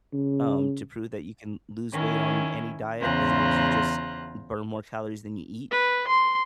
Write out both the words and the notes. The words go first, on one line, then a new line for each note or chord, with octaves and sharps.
um, to prove that you can lose weight on any diet as long as you just burn more calories than you eat.
C#3
D#3 C#4 E4
E2 C#3 F4 C5 A#5 F#6
B4
C6